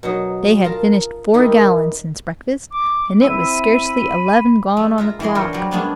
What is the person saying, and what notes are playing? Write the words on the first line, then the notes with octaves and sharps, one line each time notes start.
They had finished four gallons since breakfast, and it was scarcely eleven gone on the clock!
B2 F#3 D#4
F4 A#4 A5 A#5
D#3 D#4 E4 G4 A#4
D6
C4 E4 E5 B5 D#7
G#3
F4 E5 A#5
E3 G3 G#4 D#5 C6
D4 F4 A#4 C5 C#5
F#3 G3
G#3 A#3 B3 C#4 D4 G#4